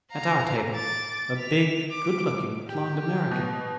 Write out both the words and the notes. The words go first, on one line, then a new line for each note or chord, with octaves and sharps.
At our table--a big, good-looking blond American.
F5 A#5
D6 A6
B6 F7
D6
G4
B2